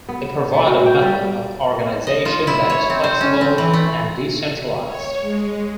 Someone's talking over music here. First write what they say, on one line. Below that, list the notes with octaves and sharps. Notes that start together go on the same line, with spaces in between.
They provide a method of organization that is flexible and decentralized.
B3
A3
F#4
G5
G3
D#5
F4
E4
C#5
C4
C5
C#4
C4
E3
A3
C#5
G#3